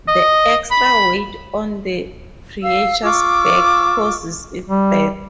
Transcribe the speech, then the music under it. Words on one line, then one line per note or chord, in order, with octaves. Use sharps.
The extra weight on the creature's back causes its death.
D#5
B5
F5 E6
F4 C#6 D6 E6
G3